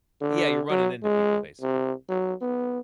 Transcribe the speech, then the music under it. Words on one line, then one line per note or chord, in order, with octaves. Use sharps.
Yeah, you're running into people, basically.
D3
F#3
G#3
C3
F#3
B3